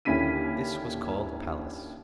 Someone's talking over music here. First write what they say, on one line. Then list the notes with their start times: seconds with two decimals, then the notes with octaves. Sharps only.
This was called Pallas.
0.05 D#2 D3 C#4 E4 B6 D#7